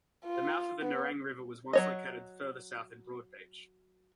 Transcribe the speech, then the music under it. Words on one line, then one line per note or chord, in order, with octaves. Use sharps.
The mouth of the Nerang River was once located further south in Broadbeach.
F4
B3
F#3 C#5 D#5